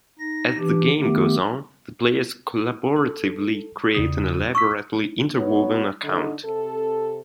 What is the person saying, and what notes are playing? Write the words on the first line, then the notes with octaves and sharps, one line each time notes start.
As the game goes on, the players collaboratively create an elaborately interwoven account.
D#4 A#6
E3 D4 G4
D#3 A3 B3 G4
A4
E2 C#3 D#6
C#6 D6 E6 B6
B3 D#4 F#4 B4 C#5
D3 D#4
C3 A4